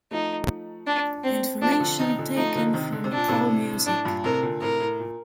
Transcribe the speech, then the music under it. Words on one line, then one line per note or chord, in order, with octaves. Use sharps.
Information taken from Allmusic.
F3 A3 D#4
D4
C4
F3 A3 D4
D3 F3
C3 D#3 D#4
A#2 D3
F3 A3 D#4
D3 F3
C3 D#3
D3
C3
A#2 D4
A2 C3
A2 D4
G2 A#2
A2 C3 A#4
A#2 D3
A2 C3 A#4
A2
A#2